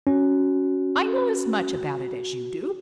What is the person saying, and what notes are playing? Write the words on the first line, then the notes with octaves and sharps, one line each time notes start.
"I know as much about it as you do!"
C#4 F#4